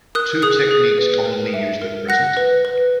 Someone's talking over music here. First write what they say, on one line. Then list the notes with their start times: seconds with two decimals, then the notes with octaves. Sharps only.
Two techniques commonly used at present.
0.15 A#4 D#6 F#6
0.42 G#4 D#6 F#6
0.71 G#4
0.98 B4
1.26 A#4
1.54 E5
1.82 A#4
2.08 F#5 F#6 A#6
2.37 B4
2.65 B4